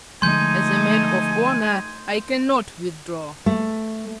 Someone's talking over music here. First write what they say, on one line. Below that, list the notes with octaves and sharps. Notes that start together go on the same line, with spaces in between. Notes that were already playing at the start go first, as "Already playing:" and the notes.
As a man of honour I cannot withdraw.
D3 F3 G#3 A3 D#4 G#5 C6 G6
A3